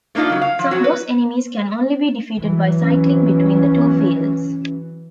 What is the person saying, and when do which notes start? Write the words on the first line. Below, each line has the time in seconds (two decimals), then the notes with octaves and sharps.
Some boss enemies can only be defeated by cycling between the two fields.
0.15 A3 A#3 D4 D#4 F4
0.29 C#3 F#3
0.41 F5
0.59 F3
0.71 F#3 F#4
0.84 B4
2.39 E3 F#3
2.82 C#4